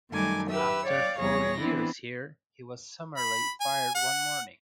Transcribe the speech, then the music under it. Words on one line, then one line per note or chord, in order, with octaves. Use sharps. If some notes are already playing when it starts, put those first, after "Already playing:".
After four years here, he was summarily fired one morning.
F#2 D#3 G3 A3 G#5 D6
G4 B4 E5 E6
C#5 D5 F5 G5
E2 G3 G#4 C#5 A#6
E3 B3 C4 D4 E4
B5
G#5
F#5